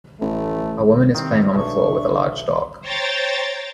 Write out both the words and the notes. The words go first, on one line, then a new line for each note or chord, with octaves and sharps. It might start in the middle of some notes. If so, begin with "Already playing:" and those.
A woman is playing on the floor with a large dog.
A1 A3
D#3 G3 C4 E4 F5
B1 A3 D4 G#4 E5 C#6
C5 C#5 G5 A#5 A6